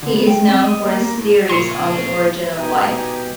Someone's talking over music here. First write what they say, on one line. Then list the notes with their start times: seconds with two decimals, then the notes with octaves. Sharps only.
He is known for his theories on the origin of life.
0.03 D3
0.16 B3
0.27 G5
0.48 C4
0.64 D#5
0.86 A#3
1.01 A#3
1.17 A2
1.49 A#2 F4 G4 G#4 A#4 C#5 C6 C#7
2.55 B2 D#4 G4 D#5 G#5